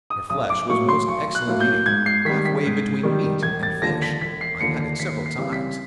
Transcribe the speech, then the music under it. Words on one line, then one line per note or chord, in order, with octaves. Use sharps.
Their flesh was most excellent eating--half-way between meat and fish: I had it several times.
D#6
B1 D#6
D6
A2 F#3 A#3 C#6
C6
B1 C#6
F#6
A2 F#3 A#3
G6
G#2 G#6
C7
D#3 G3 B6
B6
G#2
D#3 G3
E1 G#6
A6
D#2 D3 F3 A#6
B6
E1 B6
C7
D#2 D3 F3 C#7
C7
D#2 B6
C7
C#3 E3 G3 C4
B6